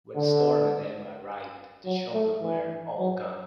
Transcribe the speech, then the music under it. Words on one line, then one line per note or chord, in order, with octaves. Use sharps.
When Storm and Emma arrived, the children were all gone.
D3
F#3
A3
E3
F#3